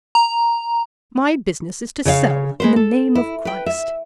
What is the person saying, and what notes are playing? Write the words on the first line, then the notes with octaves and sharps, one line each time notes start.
My business is to sell in the name of Christ.
A#5
C#3 C#5 D#5 F5
G#3 B4 C5
A4
E4
B4 G5
E5